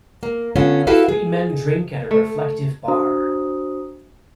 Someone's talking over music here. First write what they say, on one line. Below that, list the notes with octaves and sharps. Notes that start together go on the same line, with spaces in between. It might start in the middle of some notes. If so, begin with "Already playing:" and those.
Three men drink at a reflective bar.
A#3
D3 A3 B3 C#4 F4
E4 F#4 G4 A4 B4 F5
G#4
A3
D4 F#4 C5 A#5 D#6